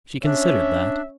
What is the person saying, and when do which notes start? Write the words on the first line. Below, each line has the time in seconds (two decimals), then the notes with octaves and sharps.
She considered that.
0.24 C#4 D4 E5